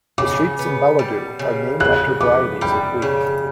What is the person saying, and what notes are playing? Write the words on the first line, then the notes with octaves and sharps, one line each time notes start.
The streets in Ballidu are named after varieties of wheat.
C#3 D6
B3
G3
C#3
C#3 F#6
B3 D6
G3 B5
C#3